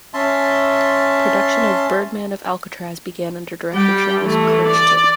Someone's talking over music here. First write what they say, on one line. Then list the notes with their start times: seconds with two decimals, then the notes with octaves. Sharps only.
Production of "Birdman of Alcatraz" began under director Charles Crichton.
0.14 C#4 E5 A5 C6
3.74 G3 G5
4.22 E3 A3
4.67 D5